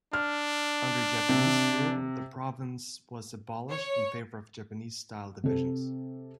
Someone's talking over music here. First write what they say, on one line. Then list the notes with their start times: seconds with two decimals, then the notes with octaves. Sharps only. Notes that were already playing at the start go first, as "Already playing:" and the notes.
Under Japanese rule, the province was abolished in favour of Japanese-style divisions.
0.13 D4 F6
1.29 C3
3.69 C#5
5.44 C3 A4